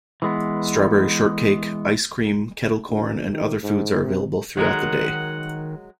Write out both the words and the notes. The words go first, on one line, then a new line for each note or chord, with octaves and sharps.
Strawberry shortcake, ice cream, kettle corn and other foods are available throughout the day.
E3 G#3 B3
D2
D#3
G#2
C3
D#3 F#3 G#3 A#4 F#5